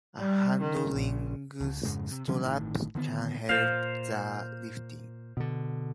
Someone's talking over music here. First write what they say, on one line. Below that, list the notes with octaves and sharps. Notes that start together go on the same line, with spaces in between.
A handling strap can help the lifting.
G3
D#3
A#1
C#2
F2 G#2 C#3 G#3
C3
C#3 F3 G3 C#4
G1 A2 D#3
D3 D#3 A#3 B3
A#2 C5 F5
B2 D3